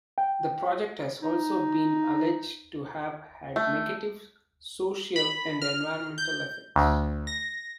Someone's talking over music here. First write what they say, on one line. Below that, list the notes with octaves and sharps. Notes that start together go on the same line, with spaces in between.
The project has also been alleged to have had negative social and environmental effects.
G5
D#4
A3
B5
F6
G6
D2
A#6